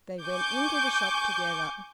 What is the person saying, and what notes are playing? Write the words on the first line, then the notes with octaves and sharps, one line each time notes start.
They went into the shop together.
G#5 C#6 D6 G6